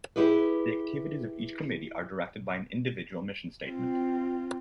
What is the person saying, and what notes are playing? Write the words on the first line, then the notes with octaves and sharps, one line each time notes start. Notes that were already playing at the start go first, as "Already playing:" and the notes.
The activities of each Committee are directed by an individual mission statement.
E4 G4 G#4 B4
C4 F4